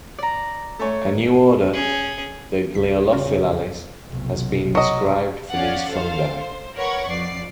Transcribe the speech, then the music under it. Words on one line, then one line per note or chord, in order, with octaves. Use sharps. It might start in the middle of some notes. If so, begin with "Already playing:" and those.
A new order, the Gloeophyllales, has been described for these fungi.
D5 A#5
A3 C#5
C#4 G#4
C2 G3 B6
A#1 E2 C#3 C#4 F4 F#4
F1 B1
F#3 D#5
C#4 D5 F5 F#5
A4 C5 F5
C5
A#4 B4 C#5 F#5 C#6 G#6
F2 D5 C7